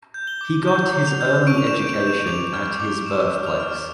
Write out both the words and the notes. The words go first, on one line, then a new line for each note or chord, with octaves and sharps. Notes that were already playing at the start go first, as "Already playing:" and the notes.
He got his early education at his birthplace.
G6
G7
D6
G6
G6
F7
G6
C#6 D7
F7
E7
G6
D7
G6
E7
D6 F7
F6
D6
D6 E7
F6
F7
F6